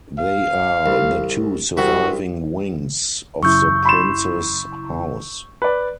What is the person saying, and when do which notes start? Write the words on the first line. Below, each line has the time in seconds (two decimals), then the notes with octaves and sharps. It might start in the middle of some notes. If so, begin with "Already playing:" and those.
They are the two surviving wings of the Prince's House.
0.19 F5
0.86 C2
1.77 C2 C3 F#4 E5
3.43 F#2 C#3 E4 C#6 E6 G6
3.86 B5 C6 E7
5.62 B4 D5